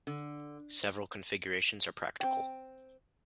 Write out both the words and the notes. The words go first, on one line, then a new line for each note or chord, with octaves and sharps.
Several configurations are practical.
D3
C4 G5